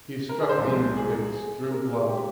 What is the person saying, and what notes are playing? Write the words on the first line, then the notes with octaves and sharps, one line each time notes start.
He struck me in the face, drew blood.
A#4
G#4
C5
C2 A#2 F3 G#3
G#4
G#4
G#4
A#4
G#4
A#2 G#3 G4